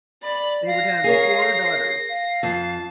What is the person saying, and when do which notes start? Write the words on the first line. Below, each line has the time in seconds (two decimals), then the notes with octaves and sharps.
They would have four daughters.
0.22 D5 B5
0.67 F5 A#6 C7
1.04 G#4 A#4 C#5
2.09 F5
2.43 F2 A5